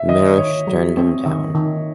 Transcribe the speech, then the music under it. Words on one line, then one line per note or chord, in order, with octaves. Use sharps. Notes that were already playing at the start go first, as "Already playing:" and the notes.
Mirisch turned him down.
Already playing: E5
D#3 D#5
D#3 C#5
F#3
C4
D#3
D#3